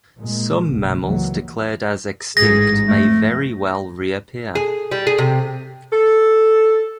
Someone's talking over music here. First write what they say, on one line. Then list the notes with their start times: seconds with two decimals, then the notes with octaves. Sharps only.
Some mammals declared as extinct may very well reappear.
0.19 A#2 G#3 A#3
0.71 F#1 C#2 B2
1.03 C#2 E3 F#3 G3 A#3
2.37 A1 G#2 G#4 A#6
2.87 F2 A3
4.55 G#4
4.91 G3
5.07 G#4
5.18 C3
5.92 A4